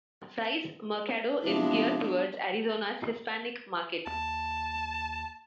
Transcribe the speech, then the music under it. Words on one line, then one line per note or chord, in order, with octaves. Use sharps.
Fry's Mercado is geared towards Arizona's Hispanic market.
C3 F3 G#3 B3 D4 E4
D#2 A5